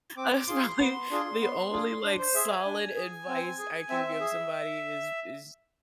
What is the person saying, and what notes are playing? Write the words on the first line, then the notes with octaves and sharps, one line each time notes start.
That is probably the only, like, solid advice I can give somebody is is
C4 D6
F4 G#4 C6
B3
D4 F4 G#4
B3
D4 F4 G#4
D4
C5
G#4 E5
G#5
D4
G#4
C4
G#4
C4 E5
G#4